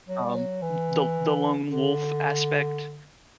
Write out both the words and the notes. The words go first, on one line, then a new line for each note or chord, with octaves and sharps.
um, th the the lone wolf aspect.
F#3
G3
F#3
E3
D3